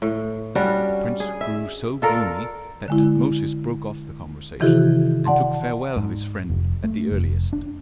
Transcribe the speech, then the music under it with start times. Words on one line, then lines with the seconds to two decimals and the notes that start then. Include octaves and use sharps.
The prince grew so gloomy that Tutmosis broke off the conversation and took farewell of his friend at the earliest.
0.02 A2
0.55 G3 C#4 D4 F#4
1.20 G#4
1.41 E5
2.02 F4 A4 A#4 D5
2.88 D3 G#3 E4
4.60 C3 D#3 E3 E4 F#4 G#4
5.25 D5 F#5 A5 C6
5.97 G#2
6.50 F1
6.84 A3
7.12 F1
7.53 D4